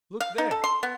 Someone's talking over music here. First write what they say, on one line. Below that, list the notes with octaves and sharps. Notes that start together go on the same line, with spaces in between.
"Look there!"
F5
D#4
A4
C6
B3